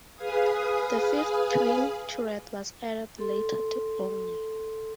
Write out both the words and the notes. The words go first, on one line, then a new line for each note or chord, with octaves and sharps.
The fifth twin turret was added later to only.
G#4 B4 F5 G#5 D#6
A4 C6